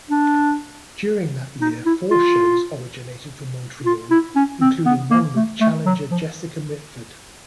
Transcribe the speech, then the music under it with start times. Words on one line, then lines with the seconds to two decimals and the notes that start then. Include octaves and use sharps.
During that year four shows originated from Montreal including one with challenger Jessica Mitford.
0.11 D4
1.61 D#4
1.86 E4
2.11 F4
3.86 F4
4.11 E4
4.36 C#4
4.61 C4
4.86 B3
5.11 A#3
5.36 A3
5.61 A3
5.86 F#3
6.11 F3